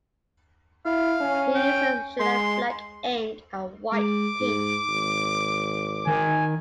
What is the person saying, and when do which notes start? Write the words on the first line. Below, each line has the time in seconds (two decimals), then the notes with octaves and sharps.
He uses shellac black ink and white paint.
0.85 E4 F5
1.21 C#4
1.55 G5
2.20 G#3 C6
3.92 G#3 D6
4.40 G#2
4.89 G#1
6.07 D#3 G#5